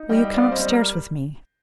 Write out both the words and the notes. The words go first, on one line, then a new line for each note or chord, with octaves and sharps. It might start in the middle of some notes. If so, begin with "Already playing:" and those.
Will you come upstairs with me?
Already playing: D#4
G3 D#5 G5
D#5
C4 D5 F5
C5 D#5
G3
A#4